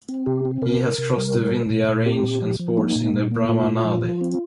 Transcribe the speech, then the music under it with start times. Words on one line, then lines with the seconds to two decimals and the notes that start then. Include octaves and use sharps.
He has crossed the vindya range and sports in the Brahma Nadi.
0.09 C4
0.26 C3 G4
0.45 C4
0.62 C3 A#4
0.81 C3
0.98 C3
1.17 G3
1.35 A#2
1.51 A#2
1.70 A#2
1.88 A#2
2.06 C4 G4
2.23 A#2
2.42 F3
2.60 F3
2.77 A#3 D#4
2.96 A#2
3.14 A#2
3.31 A#3
3.49 A#2 F4
3.68 A#2
3.85 F3
4.02 F3
4.21 C4